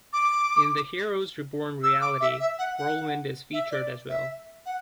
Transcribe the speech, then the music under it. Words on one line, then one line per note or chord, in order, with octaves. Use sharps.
In the "Heroes Reborn" reality, Whirlwind is featured as well.
D6
E6
D6
E5
E5
F#5
F#5
E5
D5
E5
F#5